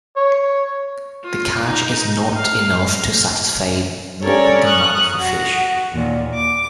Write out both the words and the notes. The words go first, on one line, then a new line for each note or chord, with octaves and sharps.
The catch is not enough to satisfy local demand for fish.
C#5
F4
D#4
F5
C#4 A4 A#4 C#5 D5
C#6 D#6 F6 F#6
F#4
D#2 A#2
D6